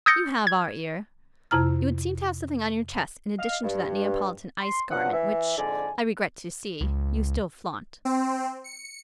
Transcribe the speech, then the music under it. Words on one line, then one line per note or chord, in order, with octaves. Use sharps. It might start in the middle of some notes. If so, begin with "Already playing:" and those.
'You have our ear. You would seem to have something on your chest in addition to that Neapolitan ice garment which, I regret to see, you still flaunt.
D#6 E6 G6 A6 A#6 C#7
G#6
F2 C3 E4 A#5 F6
D#5 F5
G2
C6
G2 F3 F#3 F#5
E3 E5
F2 G#2 D3 D5 G#5
C#2
C4
C#7